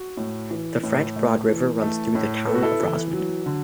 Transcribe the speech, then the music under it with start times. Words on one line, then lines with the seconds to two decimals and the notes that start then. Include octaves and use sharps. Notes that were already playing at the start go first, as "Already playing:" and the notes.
The French Broad River runs through the town of Rosman.
Already playing: F#4
0.17 A2
0.50 E3
0.83 A2
1.16 A3
1.49 E3
1.82 A3
2.15 A2
2.47 B3 A4
2.55 F#4
2.63 E4 A4
2.80 E3
3.13 F#3
3.46 D3